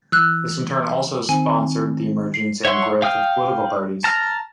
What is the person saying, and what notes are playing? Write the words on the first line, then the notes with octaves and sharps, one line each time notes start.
This in turn also sponsored the emergence and growth of political parties.
E3 E6 F#6
D#3 C4 G#5
C7
C#5 E5 F#5 C6 C#6
F5 G5 D#6 F6
A5 A#5 F6